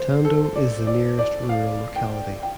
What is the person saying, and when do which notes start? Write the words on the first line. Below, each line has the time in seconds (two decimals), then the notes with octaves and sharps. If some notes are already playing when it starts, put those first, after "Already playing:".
Tando is the nearest rural locality.
Already playing: C5
0.25 A4
0.56 D5
0.87 D5
1.19 D5
1.49 F5
1.96 G5
2.43 G5